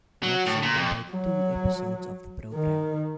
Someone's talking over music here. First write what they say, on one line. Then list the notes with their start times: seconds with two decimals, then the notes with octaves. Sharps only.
Rod Serling wrote two episodes of the program.
0.23 F#3
0.46 A2
0.63 A#2
0.77 F2
1.11 F#3
2.55 D#3